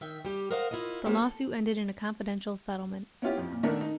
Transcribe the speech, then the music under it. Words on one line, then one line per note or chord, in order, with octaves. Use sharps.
The lawsuit ended in a confidential settlement.
D#3 E5 G5
G3 G4
A#4 C5 D#5 F5 F#5
E4 F4 A#4 D#5
G3 A#3 C4 C#4 G4
A4
B3 C#4 E4 F4 G4
F2 F3
A#2
D#3 A3 B3 D4 A4 A#4
D#4